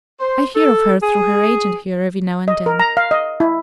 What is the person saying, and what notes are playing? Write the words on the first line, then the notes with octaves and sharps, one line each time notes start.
I hear of her through her agent here, every now and then.
C5
A4
G#4
D#5
A#4
A#5
F5
D#5
E4